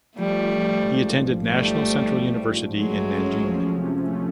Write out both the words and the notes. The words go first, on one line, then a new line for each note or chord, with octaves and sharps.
He attended National Central University in Nanjing.
F3 G3 A3
A1
G#2
A1
F3 G3 A3
A1
G#2
A1
F#3 G#3 A3
C#4
F3
C3
A3